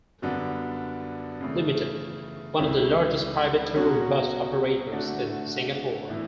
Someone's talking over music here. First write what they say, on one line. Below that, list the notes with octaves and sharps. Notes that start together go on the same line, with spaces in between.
Ltd., one of the largest private tour bus operators in Singapore.
F#2 D3 G3 B3 D4
C#3 E3 A3
C#2 C#3 G3 C#4 E4
B2 F#3 C#4 F#4
D3 A3 D4 F#4
A2 E3 B3 E4